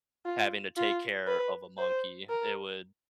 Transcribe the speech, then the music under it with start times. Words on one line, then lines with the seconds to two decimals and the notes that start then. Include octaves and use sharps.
having to take care of a monkey. It would
0.26 F4
0.77 F4
1.27 B4
1.78 C5
2.29 A#4